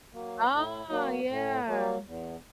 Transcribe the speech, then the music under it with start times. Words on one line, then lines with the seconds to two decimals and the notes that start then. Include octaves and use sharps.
Oh, yeah.
0.13 F#3 A#3
0.51 A2
0.89 F#3 A#3
1.28 A2
1.66 F#3 A#3
2.05 E2